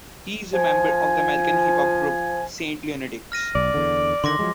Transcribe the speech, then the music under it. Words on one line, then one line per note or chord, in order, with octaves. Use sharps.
He is a member of the American hip hop group Saint Lunatics.
F3 G#5
F6 A#6 D#7
B1 D5
E2 D3
D3 D#3 C6 D6 A#6
F3 F#3 G#3